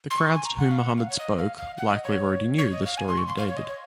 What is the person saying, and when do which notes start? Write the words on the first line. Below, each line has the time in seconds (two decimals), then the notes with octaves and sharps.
The crowds to whom Muhammad spoke likely already knew the story of David.
0.10 C6
0.19 C#6
0.34 G#5
0.45 A#5
0.58 F#5
0.71 F5
0.79 F#5
0.98 F5
1.10 C#5
1.19 D#5
1.38 F5
1.58 F5
1.78 F#5
1.91 D#5
2.04 C#5
2.58 C#5
2.72 D#5
2.85 F5
2.98 G#5
3.08 C6
3.18 C#6
3.28 C6
3.37 F5
3.48 C#5
3.57 D#5
3.68 C#5